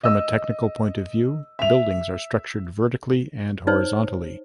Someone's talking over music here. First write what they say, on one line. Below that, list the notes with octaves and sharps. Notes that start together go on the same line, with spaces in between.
From a technical point of view, buildings are structured vertically and horizontally.
D#5 E6
E5 F7
D#4 C5 C#5